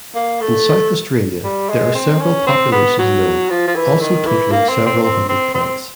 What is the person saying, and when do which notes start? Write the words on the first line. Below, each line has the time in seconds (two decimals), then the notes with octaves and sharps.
In South Australia there are several populations known also totalling several hundred plants.
0.15 A#3
0.41 A3
1.44 G3
1.70 G#3
1.95 C4
2.21 C#4
2.47 C4
2.72 B3
2.98 F#3
3.50 F3
3.67 F3
3.75 E3
4.01 D#3
4.26 E3
4.51 A#3
4.69 C4
4.86 C4
5.03 C4
5.29 C4
5.55 C4